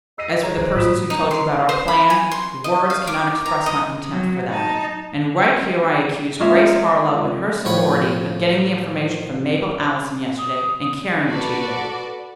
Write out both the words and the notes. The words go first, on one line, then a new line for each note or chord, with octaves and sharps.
As for the persons who told you about our plan, words cannot express my contempt for them, and right here I accuse Grace Harlowe and her sorority of getting the information from Mabel Allison yesterday and carrying it to you.
D#5 E6 C7 D#7
G#4 C#5 A#5
A#1 E3 C5 D#5
A2 F4 F#4 D#6 B6 E7
D#4
C6
C5
B5
G#5
C6
D#5
F5
D6
A#5
D#5
F#3
D#4 A5
G#3 A#3 C#4 F4 E5 F5
A2 F3 C#5 B5
D#6
F#4 A4 B4 D5